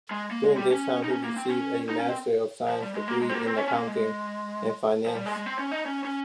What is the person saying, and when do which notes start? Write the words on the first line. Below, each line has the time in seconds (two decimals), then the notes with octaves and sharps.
During this time, he received a Master of Science degree in Accounting and Finance.
0.11 G#3
0.31 A#3
0.44 G#3
0.57 G3
0.71 C#4
1.04 D#4
1.10 C#4
1.24 A#3
1.36 C4
1.50 C#4
1.89 D#4
1.99 C#4
2.09 C4
2.69 F3
2.82 G3
2.95 G#3
3.08 A#3
3.22 G#3
3.29 C4
3.34 A#3
3.47 C4
3.57 C#4
3.68 C#4
3.77 A#3
3.87 G#3
5.06 F3
5.16 G3
5.26 G#3
5.36 G#3
5.46 C4
5.59 C#4
5.72 D#4
5.86 C#4
6.05 C#4